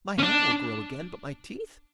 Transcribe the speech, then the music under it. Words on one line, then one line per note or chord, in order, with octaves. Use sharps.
My hair will grow again, but my teeth!
C#4
D4